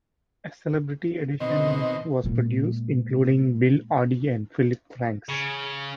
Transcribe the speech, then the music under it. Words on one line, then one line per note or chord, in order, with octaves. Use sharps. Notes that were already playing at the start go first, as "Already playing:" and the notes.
A celebrity edition was produced, including Bill Oddie and Phillip Franks.
B2 D#3 C4 D#5
A#2 G#3
C#3